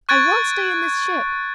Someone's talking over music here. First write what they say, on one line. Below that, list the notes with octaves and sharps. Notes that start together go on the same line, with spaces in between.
I won't stay in this ship!
C#6 F#6 G#6 A6 D7